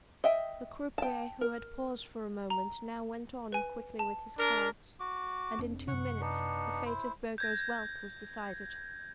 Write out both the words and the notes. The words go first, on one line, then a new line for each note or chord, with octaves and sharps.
The croupier who had paused for a moment now went on quickly with his cards, and in two minutes the fate of Burgo's wealth was decided.
D#5 E5 G5
G5 A5
A#4
A#5
B4 G#5
A5
D4 A#4
F#4 D6
F1 C4 D4
F#2 C3 F#5 C#6
B3 D4 D#4
E4 C5
G6 G#6 A#6